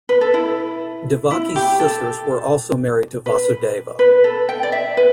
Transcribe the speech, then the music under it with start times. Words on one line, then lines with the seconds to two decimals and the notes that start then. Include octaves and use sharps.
Devaki's sisters were also married to Vasudeva.
0.09 B4
0.21 A4
0.34 E4
1.31 E4
1.56 G4
1.80 A4
3.26 B4
3.99 B4
4.24 A4
4.49 G5
4.63 D5
4.72 E5
4.97 B4